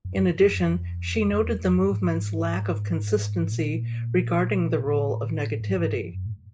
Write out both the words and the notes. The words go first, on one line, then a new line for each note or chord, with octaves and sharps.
In addition, she noted the movement's lack of consistency regarding the role of negativity.
F#2
F#2
G2
F#2
F#2
F2
F2
E2
F2
G2
A2
G#2
A#2
A#2
A2
G#2
G#2
G2
F#2
A2